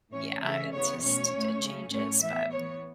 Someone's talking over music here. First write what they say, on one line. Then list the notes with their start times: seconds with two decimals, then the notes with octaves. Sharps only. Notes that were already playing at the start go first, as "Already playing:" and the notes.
yeah, it just it changes, but
0.12 A2 E3 C#4 C#5
0.42 C#3 E3 A3 C#4 E5
0.72 C#3 E3 B3 C#5
1.02 B2 A3 C#4 C#5
1.32 A2 A3 C#4
1.62 C#3 A3 C#4
1.92 A2 A3 C#4 C#5
2.22 E3 B3 E5
2.52 E3 B3 C#5